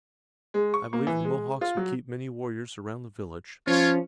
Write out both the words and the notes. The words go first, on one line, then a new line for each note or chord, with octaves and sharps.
I believe the Mohawks will keep many warriors around the village.
G#3
C#6
A#3
E3
G#3
F4
F#3
F3 C#4 F4 C#5